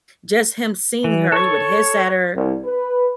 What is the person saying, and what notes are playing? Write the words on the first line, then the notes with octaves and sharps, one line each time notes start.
Just him seeing her, he would hiss at her,
E3
A4 C#5 C#6
C2
B4